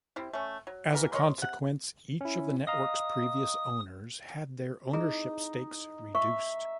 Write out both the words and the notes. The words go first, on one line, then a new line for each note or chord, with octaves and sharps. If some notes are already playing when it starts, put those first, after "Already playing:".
As a consequence, each of the network's previous owners had their ownership stakes reduced.
G3 C4 E4
A3 C#4
F#3
E3 G3 B3 A#4
A#4 C#5 D#5 C6
C3 F#5
C#4 E4
D#5 F5 A#5 D#6
D#4 E4 G#4 A#5
E5 C#6